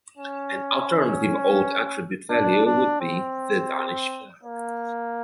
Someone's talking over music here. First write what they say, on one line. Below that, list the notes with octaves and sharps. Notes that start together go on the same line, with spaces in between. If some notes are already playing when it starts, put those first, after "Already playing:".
An alternative alt attribute value would be "The Danish flag".
C#4
D4
D4
C4
A#3